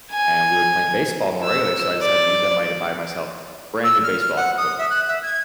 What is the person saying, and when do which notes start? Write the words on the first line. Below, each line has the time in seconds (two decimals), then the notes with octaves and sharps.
and we were playing baseball more regularly, so I decided to use that money to buy myself brand new baseball equipment,
0.12 G#5
1.44 E6
2.02 D5
3.84 E6
4.03 F6
4.21 F6
4.36 F#5
4.57 D#6
4.78 E5
4.90 F#6
5.08 E5
5.22 G#6